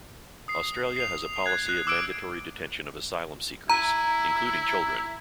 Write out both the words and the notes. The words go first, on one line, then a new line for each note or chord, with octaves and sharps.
Australia has a policy of mandatory detention of asylum seekers, including children.
D#6 C7
C7 F7
F#6 G#6
F#6 C7
D6 E6 F#6 D7
E4 A#5